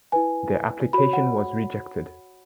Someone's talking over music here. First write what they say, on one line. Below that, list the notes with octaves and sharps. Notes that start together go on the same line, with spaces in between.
Their application was rejected.
E4 B4 G#5
F#4 C#5 B5
F#5